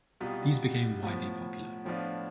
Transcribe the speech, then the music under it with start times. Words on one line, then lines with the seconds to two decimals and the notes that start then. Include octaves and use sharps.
These became widely popular.
0.20 C2 B2 G3 B3 F4
1.03 A2 F3 B3
1.85 A2 F3 B3 D4 F4